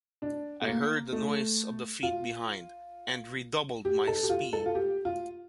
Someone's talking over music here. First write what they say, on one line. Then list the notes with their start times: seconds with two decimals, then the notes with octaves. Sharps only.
I heard the noise of the feet behind, and redoubled my speed.
0.22 D4
0.62 A3
0.67 A#3
1.13 A3
2.03 F4
3.85 G4
4.07 A4
4.23 G4
4.30 F4
4.53 A4
4.66 F4
4.75 G4
5.05 F4